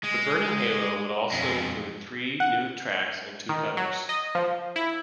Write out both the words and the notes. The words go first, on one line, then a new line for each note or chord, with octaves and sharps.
"The Burning Halo" would also include three new tracks and two covers.
G#3
F2 G#3
F#5
D#3
F#3
D#5
F3
E4